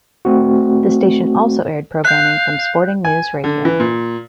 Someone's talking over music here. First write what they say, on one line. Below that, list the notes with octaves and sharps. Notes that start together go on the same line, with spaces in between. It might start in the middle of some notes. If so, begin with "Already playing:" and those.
The station also aired programming from Sporting News Radio.
A3 C4 F#4
F5 F#6 G6
G#5
D3
E3
A#2